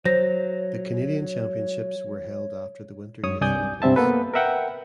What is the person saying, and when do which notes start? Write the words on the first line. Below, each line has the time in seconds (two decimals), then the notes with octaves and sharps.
The Canadian Championships were held after the Winter Youth Olympics.
0.05 F#3 C5 C#5 A#6
3.23 F#2 C#5 D#6
3.41 C2 G2 D5 G#5 D#6 G6
3.82 G2 C3 G3 C4 E5 A5
3.96 A#3 B3 A4 B4
4.34 A#4 B4 E5 F#5 G5